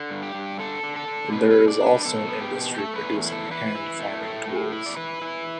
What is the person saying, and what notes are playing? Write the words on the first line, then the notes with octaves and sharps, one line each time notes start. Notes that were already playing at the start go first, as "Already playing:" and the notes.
There is also an industry producing hand farming tools.
Already playing: D3
G2
G4
G2
D3 A4
D3
A4
D3
B2 B4
B4
B2
D5
D4 B4
B2 A4
B3
G4
B2
G4
A3 A4
B4
E2
E4
A4
E4 B4
E4
A3
A2
A2
E4
D5
E4 B4
E4